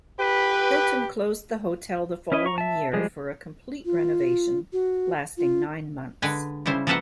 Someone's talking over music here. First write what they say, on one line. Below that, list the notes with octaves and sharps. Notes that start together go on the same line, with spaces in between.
Hilton closed the hotel the following year for a complete renovation, lasting nine months.
G4 B4
C#4 E4 B4 D#5
A#5 C#6
E5 A5
F3 G3 G#3 G#4
F4
F#4
F4
D3 G#3 B4 G5 G#5
C#3 G3 E4 C5
F3 A#3 A4 B4 C5 F#5